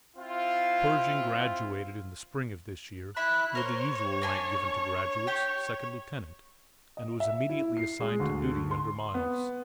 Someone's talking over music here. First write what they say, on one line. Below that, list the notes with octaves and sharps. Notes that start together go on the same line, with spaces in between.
Pershing graduated in the spring of this year, with the usual rank given to graduates, second lieutenant, and was immediately assigned to duty under Miles.
C4 E4 F4
E4 E5 B5 F#6
A#4 C5 C#5
A#3 D4 G#5
G4 G5
D#5
E5
E4
C7
G#3
D2
C6
B3